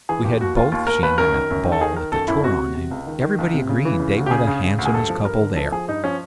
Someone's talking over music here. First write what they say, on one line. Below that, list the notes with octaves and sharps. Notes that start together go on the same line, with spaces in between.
We had both seen them at the ball at the Turon, and everybody agreed they were the handsomest couple there.
E3 G#4
D#2 G4
D#2 F#4
D#2 F4
D#2 F4
D#2 A#4
D#2 B4
F#2 A#4
D#3
F#2
D#3
A4
D#3 G#4
D#3 A#4
F#2 A4
F#2 E4
C3 F#4
C3
C3
C#2
D#3
D#3
C#2
C3
C#3
E3
C#3
D2
G4
C#3 G#4
C#3
C#3
D2
G#4
G2 A4
F3
G2 A#4
D3
F3 A4
F3 G#4
G2 D#4
F3 C#4